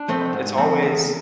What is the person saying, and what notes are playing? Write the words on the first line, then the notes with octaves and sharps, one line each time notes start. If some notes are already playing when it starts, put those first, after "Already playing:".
a it's always,
Already playing: D4
F3 A3 C4
G#2
F3 A3 C4
E2